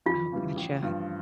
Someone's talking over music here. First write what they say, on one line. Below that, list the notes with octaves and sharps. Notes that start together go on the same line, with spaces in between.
Oh, gotcha.
F2 F4
C#3 E3 G3
A1
G2 F3